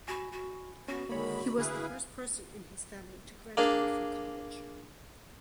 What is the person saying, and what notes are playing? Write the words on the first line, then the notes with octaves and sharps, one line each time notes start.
He was the first person in his family to graduate from college.
F#4 G#5 B5
F#4
B3 C#4 F#4
D3 D#3 G#3 A#3 C#5 B5
D3 E4 G#4 B4 F5 G#5
A#3 D4 G#4